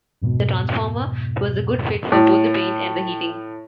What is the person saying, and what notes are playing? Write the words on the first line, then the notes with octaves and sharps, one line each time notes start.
The transformer was a good fit for both the paint and the heating.
F2 G#2 B2
A2